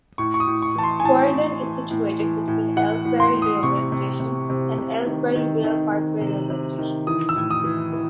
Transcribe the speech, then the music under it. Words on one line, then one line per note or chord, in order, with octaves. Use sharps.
Quarrendon is situated between Aylesbury railway station and Aylesbury Vale Parkway railway station.
A2 C#6
C#6
D#6
A2
C#6
E3 A5
C6
G#5
A2 A5
A2
E3
A2
E3
A2
E3 F#5
A2
C6
A2
D#6
C3 C#6
C3
C3
C3
C3
D#3
D#3
D#3
D#3
C3
C3
D#3
E3 D#6
E6
A2
D#6
E3
E3